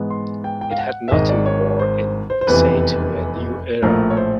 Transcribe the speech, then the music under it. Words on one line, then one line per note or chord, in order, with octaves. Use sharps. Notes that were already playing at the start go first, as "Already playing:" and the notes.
It had nothing more in say to a new era.
Already playing: G#2 E3 G#3 B3
C6
G5
G5
F5
F#5
E5
G#1 G#2 D#3 G#3 D#5
D5
C#5
C5
C5
C5
F1 E2 C3 E3 B4
A#1 A2 F3 A3 A#4
C#5
C5